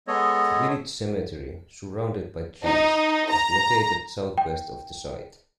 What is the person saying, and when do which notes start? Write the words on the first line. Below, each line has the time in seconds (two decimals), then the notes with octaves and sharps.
The village cemetery, surrounded by trees, is located southwest of the site.
0.07 G#3 B3 A4 C#5 D#5
2.65 D#4
3.29 A#5
4.38 G5